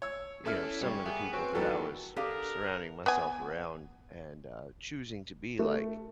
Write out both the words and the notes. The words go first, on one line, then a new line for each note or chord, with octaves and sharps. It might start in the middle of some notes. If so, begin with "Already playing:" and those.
you know, some of the people that I was surrounding myself around and, uh, choosing to be like,
C#5 E6
E2 C#4 E4 A4 E5 F6
G3 G#4 C#5 F#5
A#3 B3 G#4 E5 G#5
C4 C#4 F#4 B4
E2 D#3 F#3 G3 F#4 A4
D3 D4 G4 G#4 A#4 F5
B3 G#5
A3